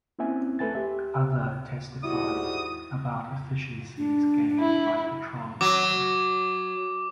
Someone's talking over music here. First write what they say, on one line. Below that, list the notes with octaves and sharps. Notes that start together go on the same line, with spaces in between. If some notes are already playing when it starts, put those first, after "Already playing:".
Other testified about efficiencies gained by the transfer.
A#3 C4 C#4 E4 E5 G#5
A3 A4 B4 G#5 A6
G4 E5
G#2 G3 E4 F#4 D#6
D4
E4
F#3 D6